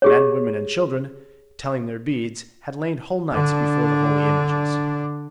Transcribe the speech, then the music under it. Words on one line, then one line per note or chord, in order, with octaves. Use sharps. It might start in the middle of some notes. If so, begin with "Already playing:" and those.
Men, women, and children, telling their beads, had lain whole nights before the holy images.
G4 G#4 C#5
D3 D4